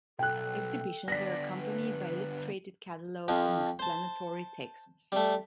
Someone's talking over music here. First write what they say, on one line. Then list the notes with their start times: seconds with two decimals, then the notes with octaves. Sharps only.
Exhibitions are accompanied by illustrated catalogues and explanatory texts.
0.19 B1 A4 G5 F#6
1.08 D3 B3 D5 A#6 B6
1.60 B4
3.28 F2 F3
3.79 C5 A5
5.12 G3 A3